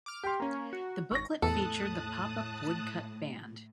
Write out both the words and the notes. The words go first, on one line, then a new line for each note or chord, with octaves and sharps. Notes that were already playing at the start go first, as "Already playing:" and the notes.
The booklet featured the pop-up woodcut band.
D6 F6
G4 C6
A#3 C#4 A#5
F#4
G#1 C#6 A#6
E2 A2 A4 A5 D#6 F#6